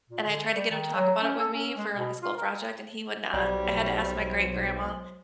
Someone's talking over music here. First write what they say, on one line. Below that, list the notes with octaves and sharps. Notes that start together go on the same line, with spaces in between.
and I tried to get him to talk about it with me for, like a school project, and he would not. I had to ask my great-grandma,
A#2
D3
G3
D#3
F#3
C#4
A4
C#4
G#3
B2
F4
A#4
B1 F#3 G3 C5 D5